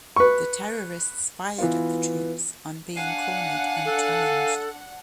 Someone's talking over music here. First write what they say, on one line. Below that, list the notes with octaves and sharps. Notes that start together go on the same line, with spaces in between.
The terrorists fired at the troops on being cornered and challenged.
B4 C#6
E3 B3 F4
D4 F5 F#5 G#5
A4